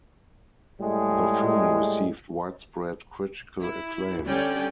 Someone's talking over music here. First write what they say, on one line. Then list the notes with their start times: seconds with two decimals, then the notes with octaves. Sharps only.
The film received widespread critical acclaim.
0.80 A2 G3 G#3
3.60 E4
4.26 D3 G3 C#4 G4 D5 G5